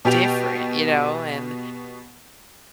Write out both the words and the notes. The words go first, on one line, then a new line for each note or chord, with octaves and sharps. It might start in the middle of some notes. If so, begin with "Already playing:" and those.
different." You know? And
B2 G4 G5 F7